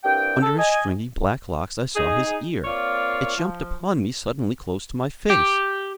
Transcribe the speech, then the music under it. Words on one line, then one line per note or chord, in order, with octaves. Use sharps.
Under his stringy black locks I saw his ear; it jumped upon me suddenly close to my face.
C2 G2 G5
A4
D#5 G#5
D#4 G#4
A#3 C4 F4 C#5 D5 F5
F3
G4